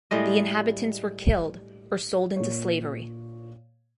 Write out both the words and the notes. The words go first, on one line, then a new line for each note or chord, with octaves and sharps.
The inhabitants were killed or sold into slavery.
A2 G3 G#3 D#5
A#2 C#5